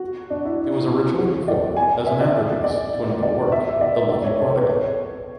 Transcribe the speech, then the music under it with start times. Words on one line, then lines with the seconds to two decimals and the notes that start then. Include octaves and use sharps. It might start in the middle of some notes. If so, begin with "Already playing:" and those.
It was originally performed as an afterpiece to another work "The Lucky Prodigal".
Already playing: F#4
0.30 D4
0.45 E4
1.18 F#4
1.48 D5
1.77 G#5
2.06 E5
2.21 D5
2.64 D5
3.23 D5
3.52 E5
3.81 D5
4.11 D5
4.24 C#5
4.40 A4
4.54 B4
4.69 C#5